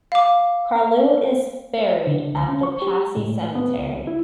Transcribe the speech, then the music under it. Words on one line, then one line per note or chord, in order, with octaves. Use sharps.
Carlu is buried at the Passy Cemetery.
F5 D6
D3
C#2
C#4
C#6
G4
A2
B3
C#2
E4